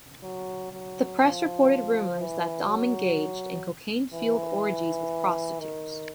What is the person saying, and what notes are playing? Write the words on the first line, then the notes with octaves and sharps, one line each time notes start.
The press reported rumours that Daum engaged in cocaine-fuelled orgies with prostitutes.
F#3
F#3
F3
E3
F#3
E3
D#3